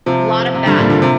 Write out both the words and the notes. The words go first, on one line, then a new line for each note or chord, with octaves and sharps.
Lot of that.
C3 F3
C3
D3 G3
A#2 D3
A#2 D3
C3